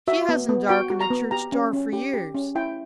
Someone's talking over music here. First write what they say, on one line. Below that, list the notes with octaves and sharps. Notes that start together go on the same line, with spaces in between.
She hasn't darkened a church door for years.
F#4 E5
B3
B3
F#4 G5
F#4
A#5
B3
G4 A#5
C#4
C#4
G4
G4
C#4
E4 G5